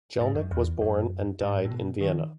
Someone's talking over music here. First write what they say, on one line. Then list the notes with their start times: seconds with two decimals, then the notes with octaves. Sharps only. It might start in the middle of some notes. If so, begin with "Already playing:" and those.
Jelinek was born and died in Vienna.
0.21 G#2
0.35 F#2
0.51 E2
0.81 F#2
1.40 G#2
1.65 A2
1.71 B2
2.01 D#3